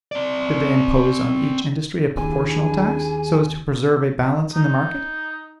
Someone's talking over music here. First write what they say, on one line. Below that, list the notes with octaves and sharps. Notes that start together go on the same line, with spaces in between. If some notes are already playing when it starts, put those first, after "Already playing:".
Did they impose on each industry a proportional tax, so as to preserve a balance in the market?
C4 D5
D#2 D4 E4 G#4 G#5
D#4